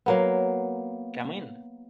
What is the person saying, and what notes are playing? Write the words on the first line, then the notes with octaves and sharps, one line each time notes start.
Come in!
F#3 A#3 B3